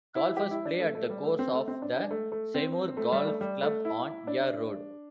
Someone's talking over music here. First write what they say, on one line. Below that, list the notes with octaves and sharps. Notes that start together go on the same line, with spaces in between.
Golfers play at the course of the Seymour Golf Club on Yea Road.
E4
G4
E4
D4
A3
A3
G3
A3
C4
A3
C4
D4
D4
A3
A3
C4
A3
G3
A3
G3
A3
E4
D4